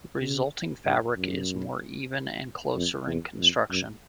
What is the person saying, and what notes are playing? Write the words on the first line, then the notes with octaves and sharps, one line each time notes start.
The resulting fabric is more even and closer in construction.
C#3
G2
F#2
F2
E2
F2
F#2